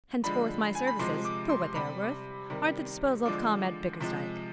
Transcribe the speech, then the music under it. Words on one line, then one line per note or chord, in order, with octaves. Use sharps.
Henceforth my services, for what they are worth, are at the disposal of Comrade Bickersdyke.
D3 F3 G#3 B5
G#5
B5
C3 F3 G#3 C6
D6
C6
C3 G3 B5
C3 D#3 G3
D3 F3 G#3 D6
C3 F3 G#3